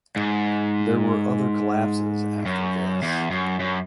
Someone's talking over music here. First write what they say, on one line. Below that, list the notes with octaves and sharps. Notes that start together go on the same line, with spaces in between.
There were other collapses after this.
G#2
F#2
E2
F#2
F#2